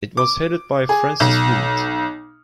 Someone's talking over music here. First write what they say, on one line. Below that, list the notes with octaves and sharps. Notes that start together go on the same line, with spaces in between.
It was headed by Francis Wheat.
D6
G#4
B1